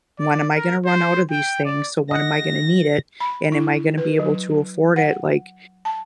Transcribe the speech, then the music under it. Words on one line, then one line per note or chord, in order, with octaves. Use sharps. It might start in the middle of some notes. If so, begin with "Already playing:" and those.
when am I gonna run out of these things? So when am I gonna need it? And am I gonna be able to afford it?" Like,
D5
A#4
C5
G5
D5
D#5 F#5 A#6
B5
E4
B4
F#3
F#5
A5